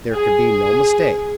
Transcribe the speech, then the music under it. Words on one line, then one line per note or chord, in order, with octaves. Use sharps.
There could be no mistake.
G#4